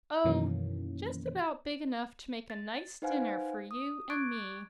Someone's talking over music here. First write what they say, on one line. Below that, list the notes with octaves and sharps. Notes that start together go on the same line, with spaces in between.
"Oh, just about big enough to make a nice dinner for you and me."
F#2 B2 D#3 E3 A#3 C#4
A6
D#4 B4 C5 F5 F#5 G#5
D#6
C#6 D6 F#6 G#6 A6 D7